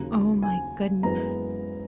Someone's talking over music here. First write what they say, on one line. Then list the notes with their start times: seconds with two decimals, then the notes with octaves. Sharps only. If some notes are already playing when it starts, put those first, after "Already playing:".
Oh my goodness.
Already playing: D#2 C#3 F#3 A#5
0.43 G#5
1.03 F#1 F#2 E3 G#3 B3 A#5